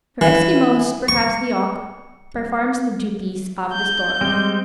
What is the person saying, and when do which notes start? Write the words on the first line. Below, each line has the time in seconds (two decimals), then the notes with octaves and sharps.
For Eskimos, perhaps, the Auk Performs the duties of the Stork.
0.21 E3
1.08 C#6
3.73 G6
4.21 G3 G#3 C4